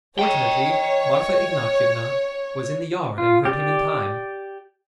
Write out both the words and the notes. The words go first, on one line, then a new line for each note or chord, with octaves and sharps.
Fortunately, Marfa Ignatyevna was in the yard and heard him in time.
C#5 D#5 G5
F4
G4 D5